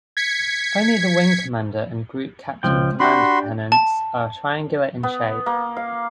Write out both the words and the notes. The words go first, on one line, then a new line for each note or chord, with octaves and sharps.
Only the wing commander and group captain command pennants are triangular in shape.
G#6 B6 C#7
C#2 F3 G5
D4 F#4 G4 B5 C6
A5
B3
A#3
F5